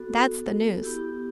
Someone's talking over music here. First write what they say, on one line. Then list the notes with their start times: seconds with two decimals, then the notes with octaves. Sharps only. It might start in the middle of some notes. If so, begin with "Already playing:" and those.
That's the news.
Already playing: B3 F#4 A4
0.83 B3 E4 G4